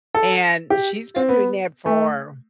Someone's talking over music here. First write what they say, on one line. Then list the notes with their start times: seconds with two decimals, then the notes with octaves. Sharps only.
And she's been doing that for
0.14 A4
0.70 G4
1.16 C4
1.29 B3
1.86 A3